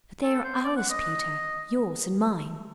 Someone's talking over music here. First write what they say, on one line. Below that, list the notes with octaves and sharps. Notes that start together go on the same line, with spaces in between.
'But they are ours, Peter, yours and mine.'
A4
C5
D5
F#5
D#5